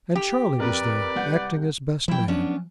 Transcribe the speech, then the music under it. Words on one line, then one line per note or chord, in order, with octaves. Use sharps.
And Charley was there, acting as best man.
G4
F2 A#4 B4 D5
C2 F#5 G6
F3 F#3 E4 G5
B3 C#4 D4